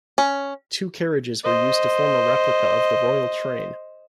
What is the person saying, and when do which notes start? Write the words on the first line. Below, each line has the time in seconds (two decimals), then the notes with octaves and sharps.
Two carriages were used to form a replica of the Royal Train.
0.18 C#4
1.44 C5 D#5